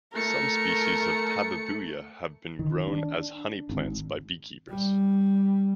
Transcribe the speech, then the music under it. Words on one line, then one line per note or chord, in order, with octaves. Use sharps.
Some species of "Tabebuia" have been grown as honey plants by beekeepers.
A3 A#4 C#7
D#3
D4
G#1
G3